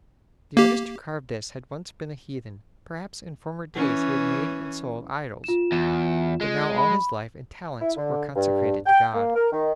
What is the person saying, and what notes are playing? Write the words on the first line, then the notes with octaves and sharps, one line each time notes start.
The artist who carved this had once been a heathen; perhaps in former days he had made and sold idols, but now all his life and talents were consecrated to God.
A#3 G4
E3 C#4
F4 E7
E2
G#3
B5
E4
D3
G2
G5
A#3
A#4
D#3